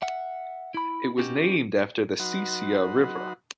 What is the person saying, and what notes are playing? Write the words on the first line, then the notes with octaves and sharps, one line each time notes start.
It was named after the Sesia river.
E5 F#5
E4 B5
B3 C#4 D#4 F#4 G4
F#3 D#4 F#4 B4 F#5 C6